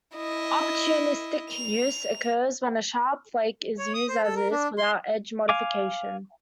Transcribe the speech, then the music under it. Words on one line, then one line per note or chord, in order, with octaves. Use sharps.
Opportunistic use occurs when a sharp flake is used as-is, without edge-modification.
E4 D#5
F7
C#5
D#6
C5
A4
A#4
D4
C6
F5 G#5 D6